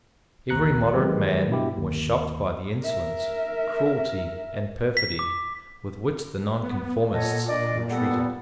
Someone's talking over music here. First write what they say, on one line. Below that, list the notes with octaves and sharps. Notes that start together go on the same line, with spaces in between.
Every moderate man was shocked by the insolence, cruelty, and perfidy with which the Nonconformists were treated.
A#1 D#2 A#5 F#6 C#7
E2 D#3 F#3 G#3 G4 B4
G2 B2 E4 G4
G1 D#2
A#4 E5
B6
D6
B3
A#2 A4 C#5 D#5 F#5
D4 D5 D#5
G3 B3 A4 F#5